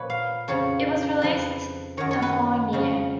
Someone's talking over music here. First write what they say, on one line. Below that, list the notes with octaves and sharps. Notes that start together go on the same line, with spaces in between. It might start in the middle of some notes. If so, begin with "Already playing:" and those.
It was released the following year.
Already playing: A#2 F3 B4 C#5
F5
F2 C#3 F3 C#5
F2 F3 B4
F#2 D#3 C#5
C#5
B4
F2 C#3 F3